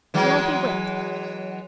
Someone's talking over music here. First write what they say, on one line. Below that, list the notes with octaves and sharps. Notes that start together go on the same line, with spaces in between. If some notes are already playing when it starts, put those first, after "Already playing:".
You won't be whipped.
E3 F#3 G#3